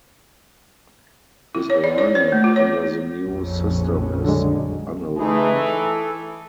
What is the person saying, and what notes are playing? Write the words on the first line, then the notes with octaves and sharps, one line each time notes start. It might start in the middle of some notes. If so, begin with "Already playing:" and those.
His alignment under the new system is Unaligned.
E4
C#5
D5
C#5
C5
A3
F4
C#5
A#1 F2 C#4
D3 F#3 G#3
E3 A3 D#4 G#4
A4